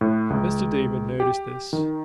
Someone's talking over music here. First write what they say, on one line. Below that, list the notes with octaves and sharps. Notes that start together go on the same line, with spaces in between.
Mr. Damon noticed this.
A2
C#2
G4
D#3